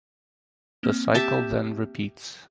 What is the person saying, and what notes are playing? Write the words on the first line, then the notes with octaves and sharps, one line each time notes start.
The cycle then repeats.
A#3 C4 F6
G4 E5 A5